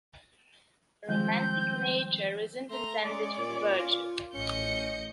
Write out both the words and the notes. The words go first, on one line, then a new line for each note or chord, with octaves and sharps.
The romantic nature isn’t intended for virtue.
D#3 F3 G3 G#3 C4 G6
A3 A#5 C6
G#3 C#4 D5
A#2
F4
A1 C#4 D#5 G6 C#7